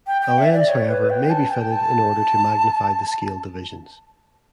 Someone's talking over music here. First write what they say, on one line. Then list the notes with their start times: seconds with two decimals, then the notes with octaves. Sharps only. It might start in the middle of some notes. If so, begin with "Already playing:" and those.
A lens, however, may be fitted, in order to magnify the scale divisions.
0.07 G5
0.22 G5
0.38 E5
0.53 D5
0.68 C#5
0.89 B4
1.10 G5
1.30 A5
1.51 G5
1.72 A5